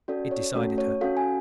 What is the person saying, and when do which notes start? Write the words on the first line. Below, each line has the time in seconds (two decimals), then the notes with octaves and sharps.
It decided her.
0.08 C#4 F#4 A4 D5
0.31 C#5
0.55 A3 C#4 F#4 A4
0.78 C#5
1.01 C#4 F#4 A4 F5
1.17 G#5